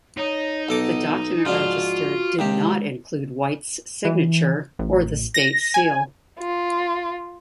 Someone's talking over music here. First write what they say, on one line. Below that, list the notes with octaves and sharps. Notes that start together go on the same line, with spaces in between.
The document registered did not include White's signature or the State Seal.
D#4 C#5
B1 B3 A4 D6
G#2 F3 D4 F4 F#4
D#2 C3 G#3 G4
E3
A1
A#6
G#5
F4